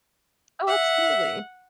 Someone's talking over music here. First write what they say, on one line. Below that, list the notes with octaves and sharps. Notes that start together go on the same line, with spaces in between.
Oh, absolutely.
E5 F#5